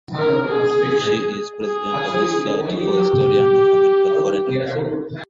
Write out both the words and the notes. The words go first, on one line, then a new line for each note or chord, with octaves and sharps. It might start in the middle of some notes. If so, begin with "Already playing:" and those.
She is president of the Society for Historians of American Foreign Relations.
A#4
G#4
G#4
G4